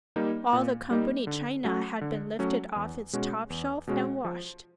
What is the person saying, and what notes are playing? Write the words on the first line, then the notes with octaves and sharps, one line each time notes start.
All the company china had been lifted off its top shelf and washed.
G3 A#3 D#4
A#2
G3 A#3 D#4
D3
F#3 A3 C#4 F#4
D3
F#3 A3 C#4 F#4
E2
B2 G#3 C#4 F#4
E2
B2 G#3 C#4 F#4
F3